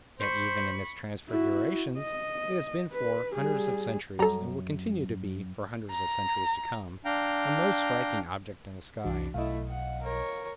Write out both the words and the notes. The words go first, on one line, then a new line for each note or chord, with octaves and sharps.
Yet even in its transfigurations it has been for hundreds of centuries, and will continue to be for hundreds of centuries to come, a most striking object in the sky.
C5 B5 C#6
E4 F#4
D#5
B4
G3 G#4
F#2 G3 A4 A#5
A#5
D4 F5 G5 A#5
C2 E3 D4 F#4
B1 A3 E4 D#5 F5
F#5
A#4 C#5